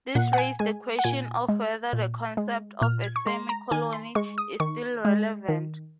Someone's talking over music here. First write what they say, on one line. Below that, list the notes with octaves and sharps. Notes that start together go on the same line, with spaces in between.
This raised the question of whether the concept of a "semi-colony" is still relevant.
A#2 F#5
F#5
G#5
G#3 G#5
F#5
A#2 G#5
G#3
A#2
G#3
A#2 F6
G#6
C#6
G#3 C6
A#5
D#3 G#5
C6
G#3 C#6
D#6
D#3 C#6
G#3
D#3